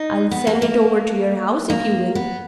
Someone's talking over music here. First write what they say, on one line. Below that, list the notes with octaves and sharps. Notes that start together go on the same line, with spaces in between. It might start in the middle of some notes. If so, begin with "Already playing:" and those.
I'll send it over to your house if you will.'
Already playing: D#4
B3
A#3
A#3
A#3
B3